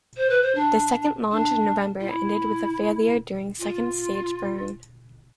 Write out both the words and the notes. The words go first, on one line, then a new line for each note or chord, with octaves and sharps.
The second launch in November ended with a failure during second stage burn.
C5
B4
C5
D4
D4
F4
E4
F4